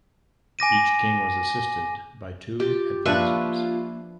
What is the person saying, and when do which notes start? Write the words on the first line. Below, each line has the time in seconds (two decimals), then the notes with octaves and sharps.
Each king was assisted by two advisors.
0.59 G#5 D6 A#6 D#7
2.60 F4 G4
3.06 F3 A#3 D4 F4 B4 E5 C#6